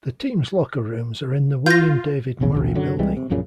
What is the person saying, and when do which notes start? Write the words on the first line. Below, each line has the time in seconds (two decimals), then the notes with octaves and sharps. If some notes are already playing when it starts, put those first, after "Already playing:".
The teams locker rooms are in the Willam David Murray Building.
1.66 F4 G6 A#6
2.41 A#1 E2 C#3
2.55 A1 D2
2.74 F#2 D3 F#3
2.99 C2 E3 G3 G#3
3.16 C3
3.30 A#1 F#2 A#2 C#3